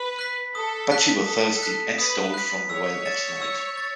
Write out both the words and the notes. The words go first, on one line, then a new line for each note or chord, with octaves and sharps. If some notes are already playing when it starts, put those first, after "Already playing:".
But she was thirsty, and stole from the well at night.
Already playing: B4
F#6 B6
A4 D#6
F#6 B6
A4 D#6
F#6 B6
B4 D#6
F#6 B6
C#5 E6
A6 E7
E6
A6